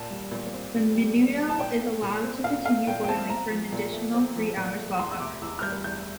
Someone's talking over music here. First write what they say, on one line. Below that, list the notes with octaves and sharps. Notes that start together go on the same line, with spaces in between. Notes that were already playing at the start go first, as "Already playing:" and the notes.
The menudo is allowed to continue boiling for an additional three hours while covered.
Already playing: A#2 A5
G3
A#2
C4
A#2
G3
A#2
C4
A5
A#2 G5
A3
A#2
C4
A#2 F5
A3 F5
A#2 G5
G5
C4 A5
C4 A#5
F3
A#2
A3
C4
F3
A#2
A3
E2 C6
E6
C3 D6
E2 E6
F6
G3 G6
E2 G6